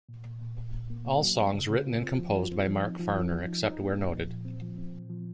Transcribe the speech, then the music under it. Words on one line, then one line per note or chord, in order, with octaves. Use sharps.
All songs written and composed by Mark Farner, except where noted.
A#2
A#2
A#2
A#2
A#2
A#3
A#3
F#3
C4
C#3
C#3
F4
C4
F3
F4
C4
F3
D#4
F3
F3
F3
D#4
D#4
A#3
A#2
F3
A#2
C4
F3
C4
A#2
F3